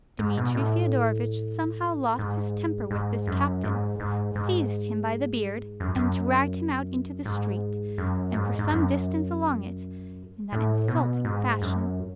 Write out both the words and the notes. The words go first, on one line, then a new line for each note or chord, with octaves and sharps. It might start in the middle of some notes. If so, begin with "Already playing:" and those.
Dmitri Fyodorovitch somehow lost his temper with this captain, seized him by the beard and dragged him out into the street and for some distance along it, in that insulting fashion.
G#2
B2
A2
G#2
G#2
F#2
G#2
G#2
G#2
F#2
F#2
G#2
F#2
G#2
G#2
F#2
A2
B2
G#2
F#2